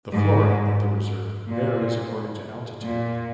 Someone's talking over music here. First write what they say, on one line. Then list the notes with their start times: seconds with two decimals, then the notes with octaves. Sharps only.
The flora of the reserve varies according to altitude.
0.12 G#2
1.48 A#2
2.83 A#2